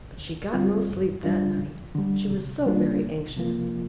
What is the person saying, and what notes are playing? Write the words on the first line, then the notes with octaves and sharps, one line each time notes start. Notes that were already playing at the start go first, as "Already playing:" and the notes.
But she got no sleep that night, she was so very anxious.
D2
D3 G3 C4 F4
G2
G3 D4 F4
F2
D3 G3
C3
G3 A#3 D4 F4
C2
C3 F3 A#3 F4